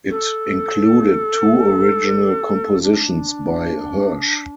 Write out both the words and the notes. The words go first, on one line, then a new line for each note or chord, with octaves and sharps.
It included two original compositions by Hersch.
A4
D4